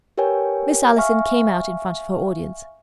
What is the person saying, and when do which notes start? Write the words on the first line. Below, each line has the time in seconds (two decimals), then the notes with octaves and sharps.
Miss Allison came out in front of her audience.
0.18 G4 A#4 B4 C#5 G5 G#5
0.97 E5 F5 G#5 C#6 F6